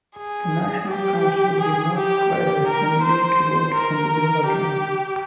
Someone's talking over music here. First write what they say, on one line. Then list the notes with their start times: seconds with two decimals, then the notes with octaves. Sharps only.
The National Council did not require the Assembly to vote on the bill again.
0.17 G#4
0.90 G4
1.60 G#4
1.97 G4
2.32 G4
2.67 A#4
3.03 C5
3.75 A#4
4.47 G4